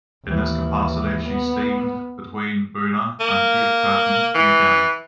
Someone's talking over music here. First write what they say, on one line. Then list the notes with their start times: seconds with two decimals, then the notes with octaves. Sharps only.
In this capacity, she steamed between Buna, and Cape Cretin, New Guinea.
0.25 D#2 E3
1.28 B3
3.20 A#3
4.35 E3